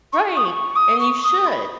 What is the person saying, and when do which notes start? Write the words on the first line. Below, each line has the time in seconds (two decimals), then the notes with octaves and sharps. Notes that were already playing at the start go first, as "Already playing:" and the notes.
Right, and you should.
0.12 C#6
0.36 D#6
0.45 C#6
0.75 D#6
0.99 C#6
1.23 D#6
1.46 B5